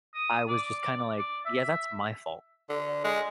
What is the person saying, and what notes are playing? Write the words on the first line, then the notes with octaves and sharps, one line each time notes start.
I was just kinda like, "Yeah, that's my fault."
D#6
D5
D5
E5
D3
G#3